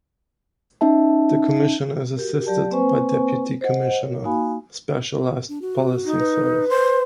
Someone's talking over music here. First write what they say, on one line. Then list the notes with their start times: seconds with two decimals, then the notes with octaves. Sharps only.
The Commissioner is assisted by Deputy Commissioner, Specialized Policing Services.
0.81 C#4 D#4 E5 A5
2.17 F#4 G4 A#4
2.46 F#3 G4 D5 A5
2.71 A#3 C4 B4 C5 G#5 C#6
3.61 C5 D#5 F#5
4.01 A#4 C#5
4.24 A#3 D#4 F#4 F5 G#5 B5
5.49 D4
5.62 F#4
6.05 D#4
6.19 B4
6.69 C5